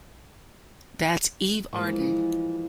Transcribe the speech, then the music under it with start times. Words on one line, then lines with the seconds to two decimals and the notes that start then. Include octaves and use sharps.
That's Eve Arden.
1.73 E3 F3 G3 G#3 A#3